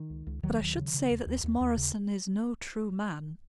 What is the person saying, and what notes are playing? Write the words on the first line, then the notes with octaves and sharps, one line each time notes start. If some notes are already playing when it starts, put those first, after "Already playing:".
But I should say that this Morison is no true man.
Already playing: D#3
C#2
C#2
D#2 D#3 F#3
D#2
C#3
C#3
D#2
D#2
D#2
D#2
C#3